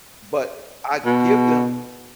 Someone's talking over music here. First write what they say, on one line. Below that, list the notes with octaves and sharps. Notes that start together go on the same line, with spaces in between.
but I give them
B2